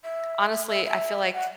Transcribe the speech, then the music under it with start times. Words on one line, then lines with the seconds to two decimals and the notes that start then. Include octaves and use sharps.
honestly, I feel like k
0.04 E5
0.69 E5
0.85 E5
1.34 F#5